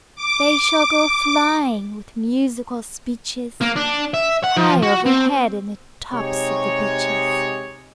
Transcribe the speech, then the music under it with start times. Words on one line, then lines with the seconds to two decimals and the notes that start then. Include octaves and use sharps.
They shall go flying With musical speeches High overhead in the Tops of the beeches.
0.16 D6
3.61 A#3
3.76 D4
4.14 E5
4.44 F#5
4.57 F3
4.83 F#4
5.06 C4
6.13 C3 G#3 D#4 G4 C#5